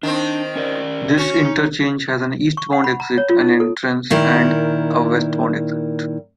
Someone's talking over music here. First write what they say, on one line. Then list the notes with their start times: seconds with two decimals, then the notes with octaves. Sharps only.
This interchange has an eastbound exit and entrance and a westbound exit.
0.03 D#3 C4 D4
0.56 C#4 A#4 D5
1.18 C#4 F#4
1.45 D#4
2.57 C#6
2.73 F#5
2.84 B5
3.00 A#5
3.18 C#5
3.29 F4
3.41 D#4
3.60 A4
4.10 A#2 D#3 E4 A#4